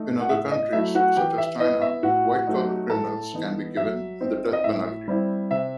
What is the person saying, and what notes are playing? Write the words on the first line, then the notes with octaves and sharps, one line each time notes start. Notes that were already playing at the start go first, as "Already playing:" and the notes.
In other countries, such as China, white-collar criminals can be given the death penalty.
Already playing: A3 D#4
F#5
A2 E5
D#5
F#3 A3 E4 E5
F#4 F#5
E3 G4 G5
E5
B3 E4 D#5
E5
A2 F#4 F#5
F#3 A3 D#4
A2 A4 A5
E3 B3 D#4
F#3 E5
C4 D#4
D#5
A2 E5
G3 C4 E4
C3 E5